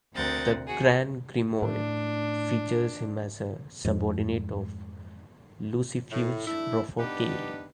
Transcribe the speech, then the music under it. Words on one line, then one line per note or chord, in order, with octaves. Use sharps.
The "Grand Grimoire" features him as a subordinate of Lucifuge Rofocale.
D2 C4 A#4 F#5 G6 A6
F#4 G#4
A2 D4
F2 G#2
A2
A3 D4 E4
B3 D4 D#4 G4 B4